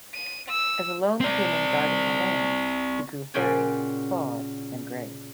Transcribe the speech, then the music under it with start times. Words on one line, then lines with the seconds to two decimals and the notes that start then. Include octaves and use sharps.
As a lone human guarding the land, he grew hairy, clawed and gray.
0.14 D#7
0.49 E6
1.20 C4 D5
3.34 A#2 C#3 F#4 G5 G#5